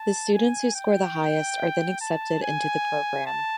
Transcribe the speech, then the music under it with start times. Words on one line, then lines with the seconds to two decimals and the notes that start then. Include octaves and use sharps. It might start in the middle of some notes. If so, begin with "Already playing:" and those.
The students who score the highest are then accepted into the program.
Already playing: A5
0.34 G#5
0.75 G5
2.01 A5
2.42 G#5
3.26 A5